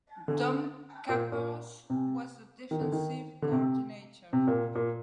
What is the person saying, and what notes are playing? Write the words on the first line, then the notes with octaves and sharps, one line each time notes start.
Dom Capers was the defensive coordinator.
D3
A#2
A#2
C3
D#3
D3
D#3
D3
C3
C3
A#2
A#2